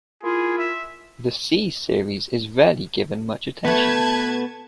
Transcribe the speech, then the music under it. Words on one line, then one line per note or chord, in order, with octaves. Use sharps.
The "C"-series is rarely given much attention.
A#3 E4 F4 G#4
E5
B2 A3 B3 B4 A5 G#6